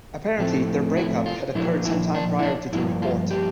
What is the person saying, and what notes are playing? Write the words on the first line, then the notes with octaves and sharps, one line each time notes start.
Apparently, their breakup had occurred some time prior to the report.
A2 F3 A3 C4
E4
F4
A#2 F3 A#3 D4 E4
E4
D4
E4
D4
G2 F3 A#3 E4
F4
G4